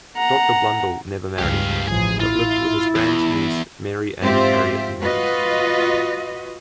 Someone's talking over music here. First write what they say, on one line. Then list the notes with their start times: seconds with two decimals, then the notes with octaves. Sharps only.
Doctor Blundell never married, but lived with his grand niece Mary Ann Harriet Noyes.
0.16 F#5 A#5
1.38 C#2 G2 G4 F5
1.87 A1 F3 G#4
2.20 E4 F4
2.96 E2
4.20 G#2 C4 F4 G4 C5 E5
5.01 F4 F#4 B4 D#5